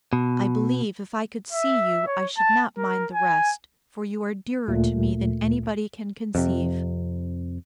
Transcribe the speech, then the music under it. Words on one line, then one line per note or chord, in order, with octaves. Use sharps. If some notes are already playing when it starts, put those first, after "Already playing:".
I believe if I could see you I should not mind the rest, for you are dearer to me than anybody can conceive.
B2
E5
C#5
A5
A#4
G#5
D2 A#2 A3
F2 C3